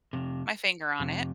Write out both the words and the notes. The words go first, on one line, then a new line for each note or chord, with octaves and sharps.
my finger on it,
F2 C3
F2 C3